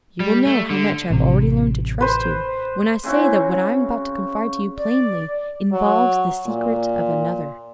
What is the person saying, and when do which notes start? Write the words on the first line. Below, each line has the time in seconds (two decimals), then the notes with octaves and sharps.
"You will know how much I have already learned to trust you when I say that what I am about to confide to you plainly involves the secret of another."
0.20 G3
0.46 A3
0.70 D3
1.10 A1 C3
2.00 B4 C5
3.04 C#3 C4 E4 F#4
4.78 D5
5.72 F#3
6.46 A#2